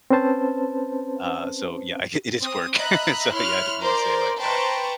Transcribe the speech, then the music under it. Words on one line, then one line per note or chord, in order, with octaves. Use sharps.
uh, so, yeah, I ge it is work, so, yeah, I didn't mean to say it like that.
C4 C#4 B4 C5 A5
C4 D#6
D#5 E5 A#5 B5 F#6
E4 C#5 C6 F6 F#6
A#4 C5 D5
B4 C5 G5 A5 A#5 C#6